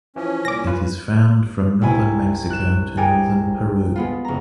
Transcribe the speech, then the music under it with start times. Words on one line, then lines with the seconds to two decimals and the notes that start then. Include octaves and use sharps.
It is found from northern Mexico to northern Peru.
0.16 E3 F3 C#4
0.45 C2 A#2 D6 A#6
0.67 F4 B4
1.82 C2 E4 G#5
2.50 F#6 E7
2.97 G3 G#3 A#4 G5 G#5 D7
3.96 G#3 B3 F4
4.25 F#1 A#5